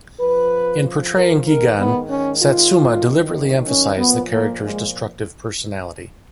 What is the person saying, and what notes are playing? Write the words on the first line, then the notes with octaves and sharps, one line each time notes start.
In portraying Gigan, Satsuma deliberately emphasized the character's destructive personality.
F2 F3 B4
A#4
G#2 D#3 A#4
B3
C#4
F4
F#2 D#3
C#4
A#2 F3 B3
A#3
G#3